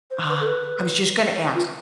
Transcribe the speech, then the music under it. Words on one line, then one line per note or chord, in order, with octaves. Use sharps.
Ah, I was just gonna ask.
C5
B4
A4
B4
F4